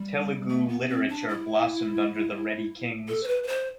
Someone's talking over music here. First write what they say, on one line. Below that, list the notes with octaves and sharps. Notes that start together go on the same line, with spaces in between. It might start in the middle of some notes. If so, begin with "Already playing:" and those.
Telugu literature blossomed under the Reddy kings.
Already playing: G3
A3
B3
C4
D4
E4
A4
C5
B4
B4
C5